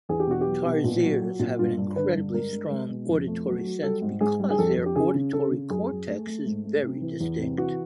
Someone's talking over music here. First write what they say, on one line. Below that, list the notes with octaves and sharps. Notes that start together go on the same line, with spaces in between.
Tarsiers have an incredibly strong auditory sense because their auditory cortex is very distinct.
E2 G#4
G4
B2 F#4
G4
F#3
B2
A#2
F#3
F#3
A#2
G2 F4
G2
D3 B4
G2
G#3 A#4
G#3
G#3
B2
F2
A3
F#3
F#3
G3 A4
G#2
G#2 G#4
G3
G#4
F2 A4
F2
G4
C#3 G#4
C#3
C#3 A4
C#3
F#2 G#4
F#2
A3
A3
G#2
A3
C3
E3
E2
C3
E3 F#4